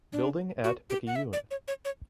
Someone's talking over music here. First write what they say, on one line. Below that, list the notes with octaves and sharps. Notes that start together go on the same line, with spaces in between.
Building at Picayune.
D4
F#4
G4
F#5
E5
D5
C#5
C#5
C#5